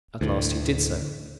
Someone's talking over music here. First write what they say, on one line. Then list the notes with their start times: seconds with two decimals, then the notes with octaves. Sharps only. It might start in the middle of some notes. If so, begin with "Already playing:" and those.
At last he did so.
0.21 D2 A2